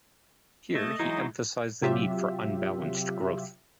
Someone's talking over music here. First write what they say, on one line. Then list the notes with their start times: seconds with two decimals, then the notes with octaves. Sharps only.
Here he emphasized the need for unbalanced growth.
0.75 A3 D#5
0.99 E3 F#3 G#3 D#4
1.82 C3 F#3 F4 G4 E5